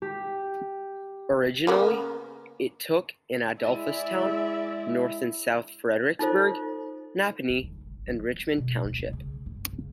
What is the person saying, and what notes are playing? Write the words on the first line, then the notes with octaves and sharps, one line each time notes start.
Originally, it took in Adolphustown, North and South Fredericksburgh, Napanee and Richmond township.
G4
C#3 A#3 B3
G#3 E4 D5 E5
D#4 F4 A4 C5
D2
C#3
G#1
F3
B3
B2
D2
D1
C#3
F#2
C#3